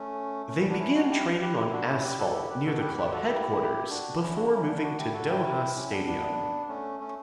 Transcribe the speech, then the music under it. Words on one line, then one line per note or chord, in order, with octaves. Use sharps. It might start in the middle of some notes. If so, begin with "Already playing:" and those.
They began training on asphalt near the club headquarters, before moving to Doha Stadium.
Already playing: A3 C#4
A3 C#4
G3 B3
B3 D4
C#4 E4
D4 F#4
E4 G4
G4 B4
E4 G4
D4 F#4
C#4 E4
G4 B4
F#4 A4
E4 G4
G4 B4
F#4 A4
G4 B4
G4 B4
F#4 A4
E4 G4
D4 F#4
C#4 E4
D4 F#4
C#4 E4
B3 D4
E4
D4 F#4
E4 G4
F#4 A4
E4 G4
C#4 E4
B3 D4
B3 D4
A3 C#4
A3 C#4